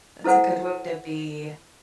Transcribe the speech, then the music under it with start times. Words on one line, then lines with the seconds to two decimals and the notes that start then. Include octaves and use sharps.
that's a good way to be,
0.24 E4 A4 C5 F#5 G#5